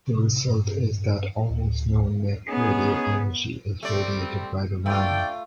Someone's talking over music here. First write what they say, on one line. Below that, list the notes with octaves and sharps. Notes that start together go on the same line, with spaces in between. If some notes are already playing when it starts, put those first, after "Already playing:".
The result is that almost no net radio energy is radiated by the line.
C3
G2
D2
B3 C#4 D#4 G#4
G3 A3 C4 D5
A3 D4 F4 D5 G5